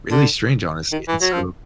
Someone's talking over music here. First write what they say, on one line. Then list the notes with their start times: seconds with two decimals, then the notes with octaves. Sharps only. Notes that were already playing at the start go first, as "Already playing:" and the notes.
really strange, honestly, and so
0.11 D3
0.92 D#3
1.08 E3
1.21 F#3
1.33 F3